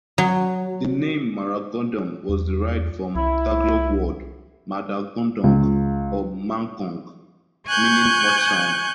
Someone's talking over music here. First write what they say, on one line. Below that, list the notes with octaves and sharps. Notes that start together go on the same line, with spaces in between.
The name Maragondon was derived from Tagalog word madagundong or maugong, meaning much sound.
F#3
E2
C2 E4
C#2
G#5 C#6 F#6 G6